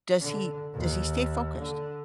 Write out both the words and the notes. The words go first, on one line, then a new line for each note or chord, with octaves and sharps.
does he does he stay focused?
D3
D#2
D3